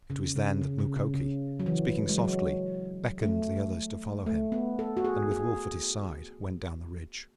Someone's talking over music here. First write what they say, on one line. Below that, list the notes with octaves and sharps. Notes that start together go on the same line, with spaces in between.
It was then that Mukoki, speaking softly, beckoned the others to follow him, and with Wolf at his side went down the ridge.
C#3
C#3
C#3
C#3
C#3
C#3
F#3
E3
G#3
F#3
A3
A3
B3
A4
F#4
G#4
G#4